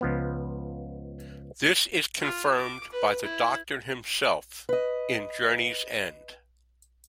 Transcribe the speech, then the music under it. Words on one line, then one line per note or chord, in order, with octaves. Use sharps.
This is confirmed by The Doctor himself in "Journey's End".
C#2 F3 B3
F4
D6
B4
E4
B4 D#5